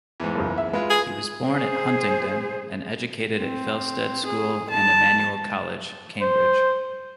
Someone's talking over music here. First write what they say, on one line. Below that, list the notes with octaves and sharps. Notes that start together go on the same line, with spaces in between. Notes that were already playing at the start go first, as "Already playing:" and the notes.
He was born at Huntingdon and educated at Felsted School and Emmanuel College, Cambridge.
E2 G#2
F#1 C#2
E5
G#3 F4 B4
G#4
G#4 C5
C4
G#4
A5
C5